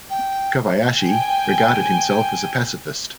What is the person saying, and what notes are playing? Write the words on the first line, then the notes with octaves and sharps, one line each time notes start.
Kobayashi regarded himself as a pacifist.
G5
G5 G#5